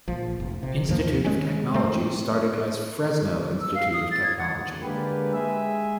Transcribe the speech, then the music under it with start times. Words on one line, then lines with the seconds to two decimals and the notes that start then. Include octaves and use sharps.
Institute of Technology started as Fresno Institute of Technology.
0.08 A#1 F3
0.40 F1
0.63 C3
0.89 D#2 G#2 F3 A#3
1.24 D#3 G#3 C#4
1.74 A3 C4
3.61 E6
3.75 F5
3.93 D#6
4.11 A6
4.23 G#6
4.38 F#5
4.82 D3 G#3 A#3 G4 B4
5.33 G#3 G#4 E5